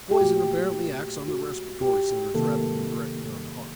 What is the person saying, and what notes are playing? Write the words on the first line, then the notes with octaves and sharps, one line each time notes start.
The poison apparently acts on the respiratory centres rather than directly on the heart.
G4
A#2 A3 F#4
F#4
G4
C3 D#3 F#3 A#3 A4